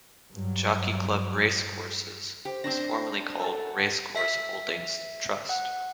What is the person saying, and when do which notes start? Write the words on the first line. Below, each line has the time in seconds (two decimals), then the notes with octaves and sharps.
Jockey Club Racecourses was formerly called Racecourse Holdings Trust.
0.31 G2 F#3
2.45 G4 C5
2.64 C4 D4 A#6
3.40 A4 F#5 A5
3.59 F#5
4.16 E5 B6
5.49 F#5